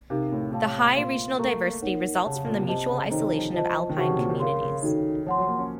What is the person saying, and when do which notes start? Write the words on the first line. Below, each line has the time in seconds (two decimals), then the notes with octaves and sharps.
The high regional diversity results from the mutual isolation of Alpine communities.
0.10 C3 D#4 A#4 F5
0.32 A2
0.52 A2 C#5 F5 A5
0.96 A#2 C5 F5 C6
1.39 A3 A#4 F5 A#5 C#6
1.61 A#3
1.82 D#4 A#4 C#5 F#5
2.25 C#3 C#5 F#5 A5
2.36 C#3
2.46 A#2
2.57 C3
2.68 C3 C5 D#5 A5
2.90 C#3
3.11 D#3 D#4 A4 C5 D#5 A#5
3.32 F3
3.54 F4 C5 D#5 A5
3.89 D#3
3.97 C#3 F#4 C5 F#5 A5 C#6
4.08 C3
4.19 A#2
4.29 C3
4.40 C#3 A#4 F5 C6
4.61 C#3
4.83 D#3 D#4 F#4 A4
5.26 F3 C#5 F#5 C6
5.38 F#3
5.47 A#3
5.59 C#4